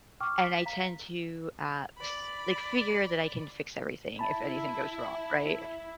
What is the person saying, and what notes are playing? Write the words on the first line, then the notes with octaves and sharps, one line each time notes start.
And I tend to, uh, s like, figure that I can fix everything, if anything goes wrong, right?
G5 C#6 D6 F6
B6
F5 A#5 B6
D5 B5
E4 A5 B5